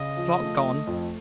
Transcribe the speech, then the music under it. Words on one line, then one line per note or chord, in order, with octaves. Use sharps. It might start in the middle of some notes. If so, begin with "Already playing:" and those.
Clock gone.
Already playing: C#3 D#5
F3
A3
A3
F2